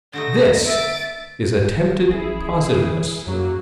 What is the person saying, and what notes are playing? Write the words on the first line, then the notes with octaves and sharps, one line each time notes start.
This is attempted positiveness.
D3 A3 D#4 A#6
E5 A6 D7
A1 E4 G#4
E3
F#2 F#3 A#3